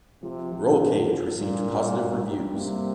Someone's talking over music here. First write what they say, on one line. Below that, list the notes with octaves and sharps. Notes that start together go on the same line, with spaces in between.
"Rollcage" received positive reviews.
C3 F3
F3
F3
F3
G2 A#2
G2
G2
G3
C3 A#3